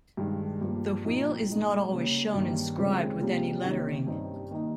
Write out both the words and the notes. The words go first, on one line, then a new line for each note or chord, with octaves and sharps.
The wheel is not always shown inscribed with any lettering.
G2 D#3 G#3
G2 F3 A#3
A#2 F3 C4 D#4
A#2 G#3 D#4
C#3 G3 A#3 C#4
G2 D#3 G3 A#3
C#3 F3 G#3 C4 F4
C3 G3 A#3 F4
C3 D#3 A#3 C#4
G2 G3 C4 D#4
D#3 A#3 D#4